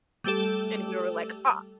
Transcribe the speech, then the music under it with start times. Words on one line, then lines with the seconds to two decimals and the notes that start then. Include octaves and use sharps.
And we were like, "Ah."
0.24 G3 A3 G4 A4